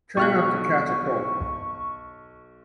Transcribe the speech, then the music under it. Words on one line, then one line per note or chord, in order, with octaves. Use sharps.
Try not to catch a cold.
B1 C#6 F6 F#6